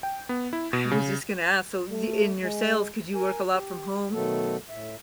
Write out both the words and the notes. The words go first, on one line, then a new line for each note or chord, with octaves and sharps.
I was just gonna ask, so the in your sales, could you work a lot from home?
G5
B3
E4
B2
C#3
A3
G#3
A#4 G#5
G4
B2 D#3 F#3 A3 B3 A4
A2 E5